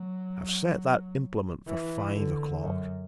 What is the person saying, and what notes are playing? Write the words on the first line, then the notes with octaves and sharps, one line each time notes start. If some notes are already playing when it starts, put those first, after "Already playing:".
I've set that implement for five o'clock.
Already playing: F#3
E3
D3
F#2